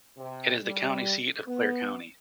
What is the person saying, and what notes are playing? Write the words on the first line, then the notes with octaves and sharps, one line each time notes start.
It is the county seat of Clare County.
C3
G3
B3